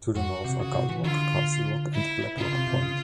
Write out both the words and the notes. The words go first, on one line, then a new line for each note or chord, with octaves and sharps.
To the north are Gull Rock, Castle Rock, and Blacklock Point.
F2 F#4
C3
C#3 F#4
C3
E3
D3 F4
E4
C#3 F4
C3
C3
C#3